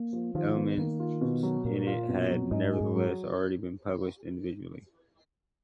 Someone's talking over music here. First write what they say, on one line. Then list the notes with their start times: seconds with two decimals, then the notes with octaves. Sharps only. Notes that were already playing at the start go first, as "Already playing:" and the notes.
Elements in it had nevertheless already been published individually.
Already playing: A#3
0.13 F3
0.35 D#3 F3
0.57 B3
0.78 D#3 A#3
1.00 F4
1.21 B2
1.43 F#3
1.65 A#2 A#3
1.87 F4
2.08 B2
2.30 F#3
2.51 G#2 D#4
2.73 G#4
2.81 G#2
2.95 F#3